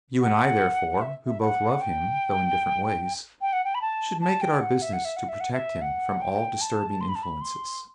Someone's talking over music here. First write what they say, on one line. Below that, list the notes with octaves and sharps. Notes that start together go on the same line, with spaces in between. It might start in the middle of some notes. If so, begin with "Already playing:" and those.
You and I, therefore, who both love him, though in different ways, should make it our business to protect him from all disturbing influences.
F#5
E5
E5
F#5
G5
G5
F#5
G5
B5
A5
A5
G5
F#5
E5
F#5
E5
F#5
E5
F#5
E5
F#5
G5
A5
C6
B5
A5
B5
C6